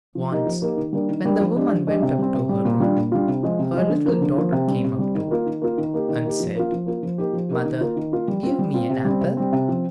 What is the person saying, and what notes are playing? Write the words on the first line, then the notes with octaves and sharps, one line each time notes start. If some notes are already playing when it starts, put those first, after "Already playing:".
Once, when the woman went up to her room, her little daughter came up too, and said "Mother, give me an apple."
F3
A#3 D#4 G4
F3
A#3 D#4 G4
D#3
G3 A#3 D4
D#3
G3 A#3 D4
F3
G#3 D4 G4
F3
G#3 D4 G4
C3
G3 C4
C3
G3 C4
A#2
G3 D4 F4
A#2
G3 D4 F4
C3
F3 G#3
C3
F3 G#3
D3
F3 A#3
D3
F3 A#3
C3
G3 C4
C3
G3 C4
D#3
A#3 F4
D#3
A#3 F4
D#3
A#3 D#4 G4
D#3
A#3 D#4 G4
F3
A#3 F4
F3
A#3 F4
F3
A#3 D#4 G4
F3
A#3 D#4 G4
D#3
A#3 F4
D#3
A#3 F4
G3
C4 F4
G3
C4 F4
C3
G3 C4
C3
G3 C4
C3
F3 C4